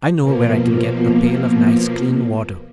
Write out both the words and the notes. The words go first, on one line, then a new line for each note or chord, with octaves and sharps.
"I know where I can get a pail of nice clean water."
B2 F3 A#3